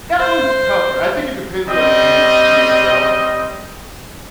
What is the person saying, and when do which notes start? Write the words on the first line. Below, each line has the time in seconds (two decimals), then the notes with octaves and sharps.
that one's tougher. I think it depends on the industry itself.
0.19 C5
1.67 G3 C4 D#5